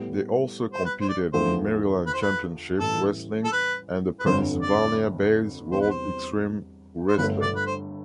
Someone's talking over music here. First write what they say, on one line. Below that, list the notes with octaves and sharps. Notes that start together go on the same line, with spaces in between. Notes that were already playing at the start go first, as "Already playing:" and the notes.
They also competed in Maryland Championship Wrestling and the Pennsylvania-based World Xtreme Wrestling.
Already playing: A2 G3 B3
C5
B4
C5
D5
E2 D3 F3 A3 C5
B4
C5
B4
A1 A2 E3 G3 A4
A4
B4
B4
G1 F2 D3 C5
D5
E2 C3 G3 C5
B4
C5
C5
G1 G2 D3 A3 B4
D5
B4
C5